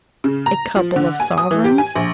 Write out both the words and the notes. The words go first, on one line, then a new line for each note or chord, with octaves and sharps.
'A couple of sovereigns.'
C#3
A#5
F3
D3
G#5
D#6
E3
G4
G#5
A#1